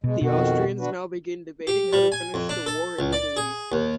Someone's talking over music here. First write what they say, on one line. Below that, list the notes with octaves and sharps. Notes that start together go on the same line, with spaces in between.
The Austrians now began debating how to finish the war in Italy.
B2 G#3
F2 B2 D#3 F#4
D4 F#4 B4
G4
G3
G#5
F2
D4
A4
C#2
D5
G#4
D#2